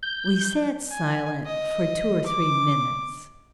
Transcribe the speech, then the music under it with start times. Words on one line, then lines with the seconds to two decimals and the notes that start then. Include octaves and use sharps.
We sat silent for two or three minutes.
0.03 G6
0.91 G#5
1.46 D#5
2.26 D6